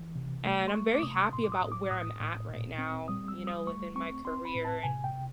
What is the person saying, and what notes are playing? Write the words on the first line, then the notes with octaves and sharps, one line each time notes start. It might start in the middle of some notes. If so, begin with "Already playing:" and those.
and I'm very happy about where I'm at right now, you know, within my career, and,
Already playing: E3
C3
A3
C6
A3 C#6
D6
C3 D#6
A2 C6
D6
D#6
A2
D6
A2 D#6
A2
A#2
C4
G3 D#6
E6
G3
D#6
A3 C#6
C4 C#6
C4 C6
B5
A2
A5
C3 G#5
G5
C3